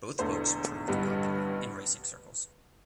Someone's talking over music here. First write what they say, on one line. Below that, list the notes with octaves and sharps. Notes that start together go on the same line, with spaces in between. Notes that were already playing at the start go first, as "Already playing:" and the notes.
Both books proved popular in racing circles.
E1 E2 D3 A3 A4 C5
A1 G2 D3 G3 B3